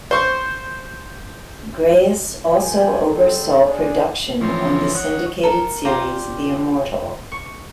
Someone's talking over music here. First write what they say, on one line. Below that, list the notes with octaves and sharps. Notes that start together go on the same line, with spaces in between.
Grais also oversaw production on the syndicated series, "The Immortal".
C5 C#6
B1 F3 G#5
D3 G3 C4 G#4 A4
D4 G#4 C5
E3 F3 C4 C#4
C#5 D#5 F#5
A4 A#4
F4 G4 D5 A#5
C#6